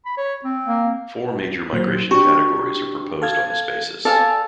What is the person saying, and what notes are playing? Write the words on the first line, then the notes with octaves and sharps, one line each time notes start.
Four major migration categories are proposed on this basis.
B5
C#5
C4
A#3
A#2 F#3 C5
D4 F#4 G4
A4 F5 G#6
A4 D5 F5 G#5